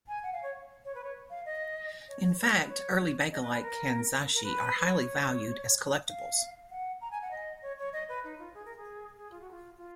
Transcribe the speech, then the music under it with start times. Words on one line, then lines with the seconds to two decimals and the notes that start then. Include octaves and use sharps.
In fact, early bakelite kanzashi are highly valued as collectibles.
0.08 G#5
0.23 F#5
0.33 F5
0.43 C#5
0.85 C#5
0.95 B4
1.04 C#5
1.30 F5
1.46 D#5
2.08 C#5
2.23 C#5
2.33 C#5
2.39 B4
2.55 B4
2.69 C#5
3.31 D#5
3.42 B4
3.52 B4
3.62 A#4
4.34 A#4
4.44 B4
4.79 B4
4.86 C#5
6.08 F5
6.70 F#5
7.01 A#5
7.11 G#5
7.22 F#5
7.31 D#5
7.62 C#5
7.79 C#5
7.93 D#5
8.09 B4
8.24 D#4
8.39 F4
8.54 G#4
8.65 A#4
8.77 G#4
9.17 G#4
9.31 F4
9.41 F#4
9.51 F4
9.78 F4